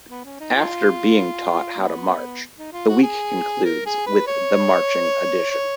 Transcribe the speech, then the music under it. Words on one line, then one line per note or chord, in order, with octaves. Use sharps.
After being taught how to march, the week concludes with the marching audition.
B3
C#4
D#4
F4
B3
D#4
F4
F#4
G#4
A#4
G#4
B4
C#5
C#5